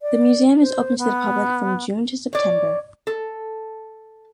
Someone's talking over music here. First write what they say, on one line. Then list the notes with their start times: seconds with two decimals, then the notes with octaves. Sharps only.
The museum is open to the public, from June to September.
0.02 D5
0.61 C5
0.98 B3
2.33 C#5 D5
3.07 A4